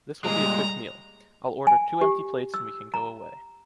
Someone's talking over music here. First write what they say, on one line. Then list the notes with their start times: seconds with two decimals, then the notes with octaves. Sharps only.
This will be a quick meal. I’ll order two empty plates and we can go away.
0.24 A#2 G3 G#3 A#5
1.67 G#5
2.01 G4
2.54 E6
2.94 A#5